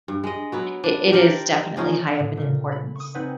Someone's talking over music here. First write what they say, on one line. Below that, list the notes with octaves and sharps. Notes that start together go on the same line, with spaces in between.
it it is definitely high up in importance.
G2
G#3 D#5
F#3 B3 E4
D4
G4 A#4 C5 D5
F3 C#4 D#4 G#4
A2 D3
A#2 C#3
B5
C#6 D#6
C4 D#4 B4 D5 F#5 G#5